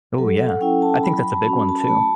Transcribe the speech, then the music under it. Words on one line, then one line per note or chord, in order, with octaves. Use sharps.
Ooh yeah. I think that's a big one too,
F#3 A4
F#5
C#4 E4 G5
A5
F#3 B5
A5
C#4 F#4
B5
A5
B5
A3 A5